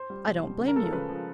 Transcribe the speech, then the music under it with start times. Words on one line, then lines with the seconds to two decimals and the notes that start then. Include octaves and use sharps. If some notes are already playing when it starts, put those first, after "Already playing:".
I don't blame you.
Already playing: C5
0.10 G3
0.27 B2
0.43 G3
0.60 C#3
0.68 A#4
0.75 F3 G#3 A4
0.84 A#4
0.93 C#3 B4
1.09 F3 G#3